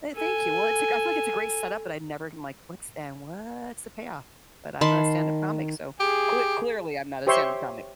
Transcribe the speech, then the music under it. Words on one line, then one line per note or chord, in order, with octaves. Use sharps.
Eh, thank you. Well, it's lik I feel like it's a great setup, but I never like, what's and what's the payoff? But I'm not a stand-up comic, so cle clearly I'm not a stand-up comic.
A4 G#5
D#3 A5 B5 C6
G4 G#4
G4 C5 C#5 E5 C6 C#6